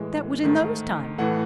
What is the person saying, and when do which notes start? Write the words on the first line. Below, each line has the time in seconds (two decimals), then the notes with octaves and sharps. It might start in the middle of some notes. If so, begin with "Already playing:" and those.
That was in those times.
Already playing: A2 E3 G#3
0.43 G#2 D#3 A3
1.18 A2 E3 A3 F#5